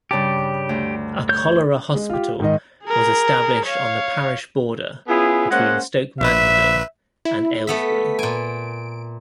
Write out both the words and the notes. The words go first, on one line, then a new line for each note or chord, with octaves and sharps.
A cholera hospital was established on the parish border between Stoke Mandeville and Aylesbury.
G2 C#3 G4 A5
D2
C#5 G6
G#3
F4 G4
G#2 D#3 D#5
G#4 A#4
C#5 F5
B3 C#4 E4 F4 G#4
G#3 A#3 C#4 C5 F#5
A#1 B4 E5
E4
A3 B3 E5 B6
A#2 G#5 D7